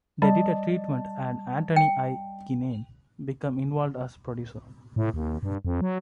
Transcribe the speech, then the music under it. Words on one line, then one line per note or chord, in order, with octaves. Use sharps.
They did a treatment and Antony I. Ginnane became involved as producer.
G3 D5 D#5 A5
G5
A2
D#2
G2
F2
F#3